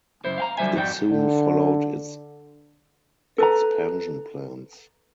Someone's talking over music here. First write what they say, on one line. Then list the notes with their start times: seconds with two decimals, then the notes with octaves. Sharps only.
It soon followed its expansion plans.
0.25 C#2 F#2 E4 C5
0.38 F5 G5 A#5
0.57 D3 F#3 G3 C5 E5 G#5
0.75 F2 G#2 G3 F#4 B4 G5
1.11 D3
3.38 A4 B4 A#5